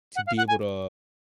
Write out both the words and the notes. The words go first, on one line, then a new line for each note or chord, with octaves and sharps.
to be able to
F#5
F5
F#5
G#5